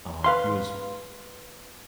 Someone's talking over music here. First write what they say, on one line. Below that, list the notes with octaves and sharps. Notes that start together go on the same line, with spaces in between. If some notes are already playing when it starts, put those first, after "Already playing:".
Um, he was
B4 F5 C6